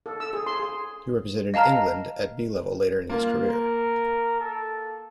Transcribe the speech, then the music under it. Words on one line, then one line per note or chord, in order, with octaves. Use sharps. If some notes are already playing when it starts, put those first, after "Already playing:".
He represented England at 'B' level later in his career.
A4
E6
G#4
C6
G#4
D#5 F5 A5 A#5 F6
A#3 F4
A#4
A4